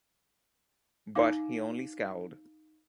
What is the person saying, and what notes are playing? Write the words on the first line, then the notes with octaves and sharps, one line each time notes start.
But he only scowled.
D#4 F5 D6